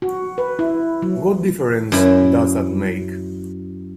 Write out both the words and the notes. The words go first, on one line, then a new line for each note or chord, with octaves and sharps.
What difference does that make?
F#4
B4
E4
F#3
F#2 E4